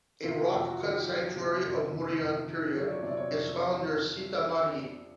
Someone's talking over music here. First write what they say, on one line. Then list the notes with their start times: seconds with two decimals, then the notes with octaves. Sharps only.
A Rock cut sanctuary of Mouryan period is found near Sitamarhi.
0.23 C3 F4
0.44 F#4
0.52 F2
0.65 F#4
0.80 D#3
0.87 G4
1.08 F#3
1.36 C3
1.64 F2
1.92 C3
2.19 F2
2.48 D#3
2.76 F#3 C#5
2.84 D5
2.92 C#5
3.03 C3 D5
3.17 C#5
3.32 F2